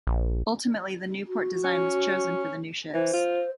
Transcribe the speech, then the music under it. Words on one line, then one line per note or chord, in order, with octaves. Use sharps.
Ultimately, the Newport design was chosen for the new ships.
A#1
F#4
C#4
E3 C5
F4